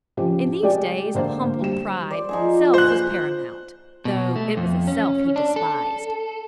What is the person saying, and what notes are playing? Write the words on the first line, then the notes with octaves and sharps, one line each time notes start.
In these days of humbled pride self was paramount, though it was a self he despised.
C#3 F3 G4
G#3 G4 D5 G5
D3 A#3 C5
G3 E7
C5 D5
F3 D#4 G#4
C5 F#6
B2
A3
F2
C#4
D4
A4